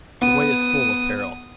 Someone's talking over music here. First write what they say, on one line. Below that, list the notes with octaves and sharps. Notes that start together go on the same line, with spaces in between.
The way is full of peril.
B3 D#6